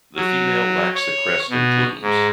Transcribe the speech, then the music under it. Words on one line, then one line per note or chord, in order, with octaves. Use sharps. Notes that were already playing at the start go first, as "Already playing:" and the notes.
The female lacks the crest and plumes.
F#3
C#5
B2
G#2